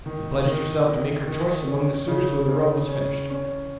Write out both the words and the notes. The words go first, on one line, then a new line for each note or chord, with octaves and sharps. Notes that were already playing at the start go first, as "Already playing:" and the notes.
She pledged herself to make her choice among the suitors when the robe was finished.
D#3
D#3
D#3
D#3
C#4
C#3
C#3
C#4
C#4